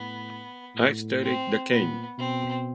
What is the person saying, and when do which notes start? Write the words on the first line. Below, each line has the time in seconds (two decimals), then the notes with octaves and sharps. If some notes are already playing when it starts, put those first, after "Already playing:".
I've studied the game.
Already playing: A2 B3
0.75 A2
1.23 C4
1.71 A#2 B3
2.18 B2 C4